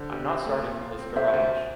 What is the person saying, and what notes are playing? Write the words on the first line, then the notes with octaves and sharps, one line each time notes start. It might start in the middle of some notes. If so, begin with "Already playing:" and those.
I’m not starting from this garage.
Already playing: D3 C5
G4
C4
A3
A#2
F4
C4
C3 C5 E5
D2